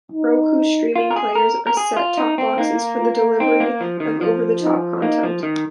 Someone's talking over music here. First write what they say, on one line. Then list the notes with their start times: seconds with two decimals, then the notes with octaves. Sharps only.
Roku Streaming Players are set-top boxes for the delivery of over-the-top content.
0.13 D#4
0.96 F4
1.11 A#4
1.16 G#4
1.35 A#4
1.67 A#4
1.77 G#4
1.96 F4
2.17 D#4
2.38 C4
2.58 A#3 D#4
3.00 F4
3.40 C4 D#4
3.60 A#3
3.81 F3
4.00 D#3
4.21 F3 F4
4.62 D#4
5.02 A#3 D#4
5.23 F3
5.43 D#3